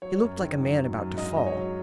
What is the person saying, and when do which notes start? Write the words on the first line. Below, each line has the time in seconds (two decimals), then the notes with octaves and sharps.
He looked like a man about to fall.
0.02 F#3 C#5
0.21 F#2
0.41 D#3
0.60 F#2
0.79 F#3
0.98 F#2
1.17 G#2 D#5
1.37 G#2 D#5
1.47 C#5
1.55 F#3